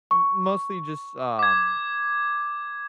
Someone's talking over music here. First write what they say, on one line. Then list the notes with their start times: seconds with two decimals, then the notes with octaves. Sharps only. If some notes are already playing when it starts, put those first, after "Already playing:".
m mostly just, um,
0.11 C#6
1.39 D6 G#6